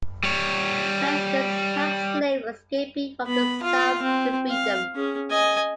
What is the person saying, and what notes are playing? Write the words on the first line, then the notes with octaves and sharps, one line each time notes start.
Residents helped slaves escaping from the South to freedom.
G3 C#5
B3 B5
F4 F5
C4
F5
C#4 G#4
D#5 G#5